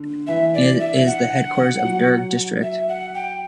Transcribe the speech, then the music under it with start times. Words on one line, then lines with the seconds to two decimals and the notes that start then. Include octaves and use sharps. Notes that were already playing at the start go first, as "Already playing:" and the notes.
It is the headquarters of Durg District.
Already playing: D3
0.27 E3 E5
0.54 D5
0.79 E5
1.06 F#5
1.84 F#3
2.63 E5
2.88 F#5
3.15 G5